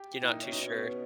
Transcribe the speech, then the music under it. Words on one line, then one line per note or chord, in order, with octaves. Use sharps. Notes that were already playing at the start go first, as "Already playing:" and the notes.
You're not too sure.
Already playing: G4
A#2 E4
D#4
C#4
A#2
B2 D#4
C#4
B3